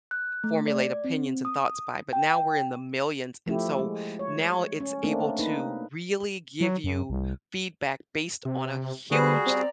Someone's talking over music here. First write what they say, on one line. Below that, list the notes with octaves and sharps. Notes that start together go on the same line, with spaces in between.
formulate opinions and thoughts by, but now we're in the millions, and so now it's able to really give you feedback based on a huge
F#6
A3
D5
C4
D#6
G5
F3 A3 E4 G4
G#3
C#5
C#4
A3 A#3 C4 D4
A#3 D#4 B4
F#3
F#2
C2
C3
D3 G3 F#4 G#4 B4 C5
C4 D5 A#5